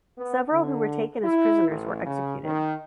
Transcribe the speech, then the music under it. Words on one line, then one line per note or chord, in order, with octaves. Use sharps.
Several who were taken as prisoners were executed.
B3
D3
E4
A1
C#3
D#3